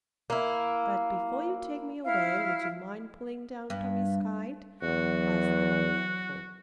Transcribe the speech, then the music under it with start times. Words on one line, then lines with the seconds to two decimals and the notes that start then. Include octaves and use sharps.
"But before you take me away would you mind pulling down Tommie's kite?" asked the bunny uncle.
0.30 A#3 E4
2.06 E4 F5 F6
3.70 G2
4.82 E2 F#3 F#4